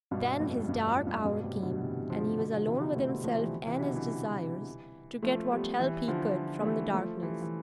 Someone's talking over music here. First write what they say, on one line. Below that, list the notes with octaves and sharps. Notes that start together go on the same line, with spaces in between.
Then his dark hour came and he was alone with himself and his desires to get what help he could from the darkness.
G2 B2
F2 A2
G2
F2
G2
G2 B2
A2 C3
B2 D3
C3 E3
G3
D3 F3
B2 D3
D3 F3
C3 E3
B2 D3
A3 C4
G3 B3
F3 A3
E3 G3
C3 E3
B2 D3
E3 G3
F3 A3
G3 B3
E3 G3
D3 F3
A3
E3 G3
F3 A3
E3 G3
E3